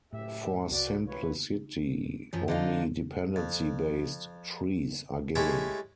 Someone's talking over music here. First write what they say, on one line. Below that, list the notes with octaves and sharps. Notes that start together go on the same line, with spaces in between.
For simplicity, only dependency-based trees are given.
F#1 A2 G4 E5
C2 F#4 B4 D5
A1 F4 B4 C#5
F#2 F3
D3 D#4 F4
F2
G#3 A3 C#4 E4 G4 E5